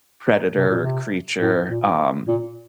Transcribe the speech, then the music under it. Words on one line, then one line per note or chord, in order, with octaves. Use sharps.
predator or creature, um,
C3
A#2
C3
A2
A#2
A#2